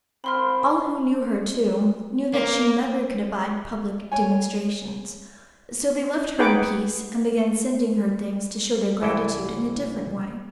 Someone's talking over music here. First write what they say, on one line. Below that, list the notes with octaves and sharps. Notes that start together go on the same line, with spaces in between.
All who knew her, too, knew that she never could abide public "demonstrations"; so they left her in peace, and began sending her things, to show their gratitude in a different way.
C4 B5 C6 F6
A#3
C#5 G#5
D#4 G#4 B4 F#5 G5 D6
C2 E3 E4 A4 G5